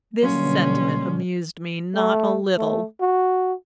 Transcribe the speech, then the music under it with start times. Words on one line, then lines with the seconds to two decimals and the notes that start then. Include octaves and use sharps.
This sentiment amused me not a little.
0.23 B2 D3 F#3 G3 A#3 C#4 C6
1.95 A3
2.57 A3
3.01 F#4